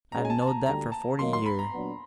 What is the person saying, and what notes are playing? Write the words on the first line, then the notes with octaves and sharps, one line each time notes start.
I've knowed that for forty year.
B2 G#3 C#4 A#5
G#5
A5
A5
A#5
D2 D3 G3 A#5
A5
D#3 F#3 A#3 D#4 C6
C6
B5
A#5
A#2 F#3 B3 D4